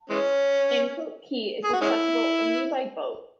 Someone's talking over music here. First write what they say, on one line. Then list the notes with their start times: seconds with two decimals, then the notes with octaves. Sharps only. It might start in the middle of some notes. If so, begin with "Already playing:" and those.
Anclote Key is accessible only by boat.
0.10 E3 G#3 C#4
1.64 G#4
1.73 F#4
1.81 G#3 C#4 E4